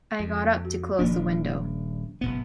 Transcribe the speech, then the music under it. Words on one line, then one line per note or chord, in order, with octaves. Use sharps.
I got up to close the window.
F2
F#4
D#1 F3 A#3 D4
F#1 B2 B3